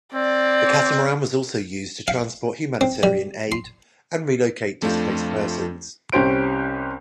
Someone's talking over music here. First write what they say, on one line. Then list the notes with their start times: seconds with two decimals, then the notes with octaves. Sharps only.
The catamaran was also used to transport humanitarian aid, and relocate displaced persons.
0.14 C4 D5
2.08 F5
2.81 C4
3.03 G3
3.52 C6
4.82 F2 A3 D4 F4 G6
6.12 C2 C#4 G4 C5 D7